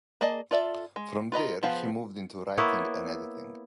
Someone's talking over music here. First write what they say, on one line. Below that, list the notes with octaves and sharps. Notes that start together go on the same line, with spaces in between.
From there, he moved into writing and editing.
A#3 G#4 D5 D#5 A5
F4 A4 D5 E5
G#3
F4 B4 D#5 A#5
F3 B3 G#4 C5 F5
A#3 B3 E4 C#5